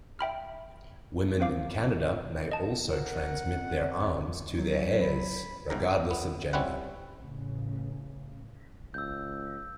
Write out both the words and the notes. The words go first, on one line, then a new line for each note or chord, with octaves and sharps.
Women in Canada may also transmit their arms to their heirs, regardless of gender.
E5 G5 B5 F6
C4 C5 F5 D6
D#5 A5
A#4 F#5
F2
F#3
B5
G1 G#2 A#5
B3
G3 C4 C#4 E4 B4 F#5
A1 C#3
C#2 E6 G6